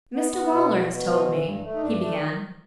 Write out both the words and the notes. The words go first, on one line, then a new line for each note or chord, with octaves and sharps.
'Mr Waller has told me--' he began.
B3
B3
B2
B2
B2
E3
E3
G2
A3
D#4
G2 D4
A3